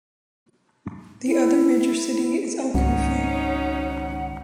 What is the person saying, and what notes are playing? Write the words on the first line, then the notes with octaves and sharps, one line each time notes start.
The other major city is Al Kufah.
E4
G#1 C#2 C#4 D#4 F#5